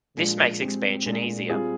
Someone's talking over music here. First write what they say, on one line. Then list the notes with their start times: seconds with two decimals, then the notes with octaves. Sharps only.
This makes expansion easier.
0.17 A#2 F3 G#3 D4
0.61 G#3 C4 G4
1.06 A#2 G#3 D4
1.49 G3 C4 F4 G#4